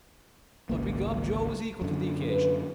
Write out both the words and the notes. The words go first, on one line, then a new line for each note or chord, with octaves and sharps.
But, begob, Joe was equal to the occasion.
G#1 C#2 A#3
F#2 D3
B4